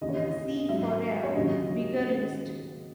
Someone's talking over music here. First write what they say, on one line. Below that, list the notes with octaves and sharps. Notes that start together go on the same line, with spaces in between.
See for a bigger list.
D#2 C#3 E3 D#5
C#5
D#5
G#2 F#3 E5
C#5
D#2 C#3 F#3 D#5